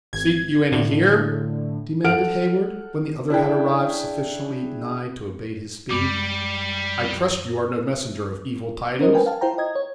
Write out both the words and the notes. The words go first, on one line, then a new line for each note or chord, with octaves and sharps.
"Seek you any here?" demanded Heyward, when the other had arrived sufficiently nigh to abate his speed; "I trust you are no messenger of evil tidings?"
G#1 G#6
A2 D3
A4 F#5 F6 D7
D4 E4 G#4 G5
F#2 G3 G#3 B5 D6
C#4 A#4 C5 D#5
A#4 B4 G5 G#5
F5 A5
E4 F4 C5 G5 A#5
D#5 A#5 G#6
C#5